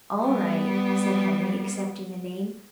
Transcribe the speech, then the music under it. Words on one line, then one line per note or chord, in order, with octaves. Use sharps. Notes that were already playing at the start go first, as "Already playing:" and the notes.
"All right," said Henry, accepting the name.
G3 B3